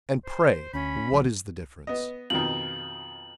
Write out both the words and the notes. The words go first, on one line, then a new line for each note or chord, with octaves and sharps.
"And, pray, what is the difference?"
C5
D2 C#4 B5
A#1 D3 F#3
B3 D#5
F2 B2 D#3 F#7